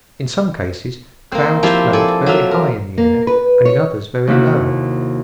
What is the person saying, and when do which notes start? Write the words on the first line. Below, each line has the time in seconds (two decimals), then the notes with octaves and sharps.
In some cases clouds float very high in the air and in others very low.
1.32 A#3 C4
1.63 F3 C4 E4 G4
1.93 A4 D5 G#5
2.26 F#3 F4 E5
2.51 A#4
2.98 A#3
3.27 B4
3.65 C#5
4.27 D#2 C3 A#3 E4 F#4